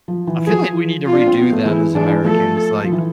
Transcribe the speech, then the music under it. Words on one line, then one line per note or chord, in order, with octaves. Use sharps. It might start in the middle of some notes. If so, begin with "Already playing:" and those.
I feel like we need to redo that as Americans. Like,
F3
E3
F3 G#4
F4
D4
C4
B3
A3
E3 G#3 E4
E3 G#3 D4
F3 A3 A4
F3
E3